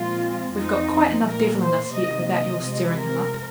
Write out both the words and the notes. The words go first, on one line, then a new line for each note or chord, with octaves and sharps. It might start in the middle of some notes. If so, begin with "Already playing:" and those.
We've got quite enough devil in us yet, without your stirring him up.
Already playing: A#2 F3 G#3 C4 F4
F2 F3 C4 D#4
A#2 A#3 A#4
C5
C3 D#3 A#3 D#5
D#5
C3 F3 G#3 C4
A#4